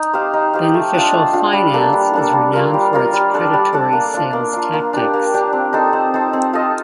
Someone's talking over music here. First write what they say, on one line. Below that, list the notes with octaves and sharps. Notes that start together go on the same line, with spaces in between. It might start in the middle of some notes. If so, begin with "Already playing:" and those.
Beneficial Finance is renowned for its predatory sales tactics.
Already playing: D#4
G4 C5 F5
D#4
G4 C5 F5
A3
D4 F4
A3
D4 F4
G3
A#3 D4 A4
G3
A#3 D4 A4
G3
A#3 F4 A#4
G3
A#3 F4 A#4
G3
D4 A4 D5
G3
D4 A4 D5
A#3
D4 F4
A#3
D4 F4
A#3
D4 G4
A#3
D4 G4
C4
D#4 A4 C5
C4
D#4 A4 C5
C4
F4 A4 D#5